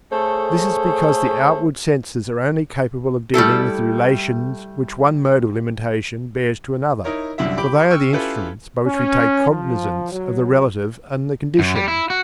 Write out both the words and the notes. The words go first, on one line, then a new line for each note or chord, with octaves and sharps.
This is because the outward senses are only capable of dealing with the relations which one mode of limitation bears to another, for they are the instruments by which we take cognizance of the relative and the conditioned.
A3 G#4 A4 C5 C#5
G3 A3 E4 A4
D#4 E4 A#4 C#5
C2 F#2 D3 E4 E5
G4 B5 D6
G5 C#6 E6 F6
C#4 E4 F4 G4 A4 B4
C#4
F3
F#3
F#2
G3
E4
F#4